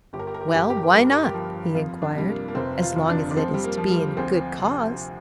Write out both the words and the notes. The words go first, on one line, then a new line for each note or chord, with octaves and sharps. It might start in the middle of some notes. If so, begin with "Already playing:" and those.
"Well, why not?" he enquired, "as long as it is to be in a good cause."
G1 G4
A#4
G4
A#4
G4
A#4
G1 G4
A#4
G4
A#4
G4
A#4
G2 G4
A#4
G4
A#4
G4
F3
F2 F4
D4
C3 G3
A#3
A#3
F1 C4
F4
F2
D4
D4
F3 C4
G3
A#3
F3
G3
D2 C4
C3